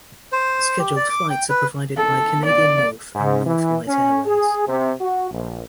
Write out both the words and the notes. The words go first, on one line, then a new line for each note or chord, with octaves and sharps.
Scheduled flights are provided by Canadian North and North-Wright Airways.
C5
G4
D5
D6
G5
B4
A4
D5
G#2
E3
C#4
G#4
C3
F#4
A#1